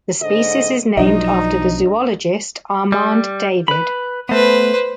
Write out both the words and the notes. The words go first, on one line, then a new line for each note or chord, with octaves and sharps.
The species is named after the zoologist Armand David.
G#2 D3 D#5
B1 F3 F#3 D4 D#4 D#5
G3
B4 B5
A3 B3 B4 C5